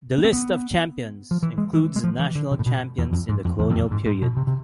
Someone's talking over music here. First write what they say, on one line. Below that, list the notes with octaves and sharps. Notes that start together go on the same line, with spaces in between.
The list of champions includes the national champions in the colonial period.
B3
C4
B3
F3
E3
G#3
E3
G#3
F3
E3
D3
C3
A2
B2
E2
F2
G#2
F2
E2
E2
F2
G#2
G#2
B2
C3
C3